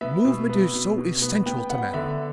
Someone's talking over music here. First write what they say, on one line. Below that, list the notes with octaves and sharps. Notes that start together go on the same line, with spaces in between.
Movement is so essential to matter!
B3 E5
B2
B3
B2
B2
B3
B3 G5
B3 F#5
D3 E5